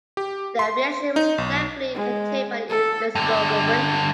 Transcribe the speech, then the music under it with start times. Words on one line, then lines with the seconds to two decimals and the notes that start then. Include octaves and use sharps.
The reaction was thankfully contained by the Invisible Woman.
0.17 G4
0.59 C6
1.16 D#4
1.38 B1
1.95 G#3
2.70 A4
3.15 G2 D3